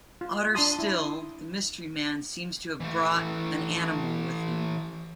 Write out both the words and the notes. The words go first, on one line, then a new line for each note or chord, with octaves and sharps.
Odder still, the mystery man seems to have brought an animal with him.
F4
D4 A5 C6 D#6
E4
E3 A3